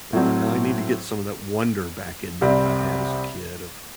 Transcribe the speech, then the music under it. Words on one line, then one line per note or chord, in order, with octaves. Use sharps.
uh, I need to get some of that wonder back in me that I had as a kid of
A2 F#3 C4
C2 C3 G3 C4